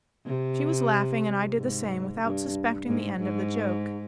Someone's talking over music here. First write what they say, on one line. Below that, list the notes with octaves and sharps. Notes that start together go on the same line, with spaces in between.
She was laughing; and I did the same without suspecting the end of the joke.
C3
G#2
G2
G#2
G#2